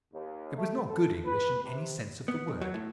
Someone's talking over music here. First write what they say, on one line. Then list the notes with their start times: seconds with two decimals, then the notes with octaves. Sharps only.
It was not good English in any sense of the word.
0.13 D#2
0.56 A3
0.87 A4
1.24 B4
1.63 C3
2.28 B3
2.48 B1
2.61 F#3
2.74 A2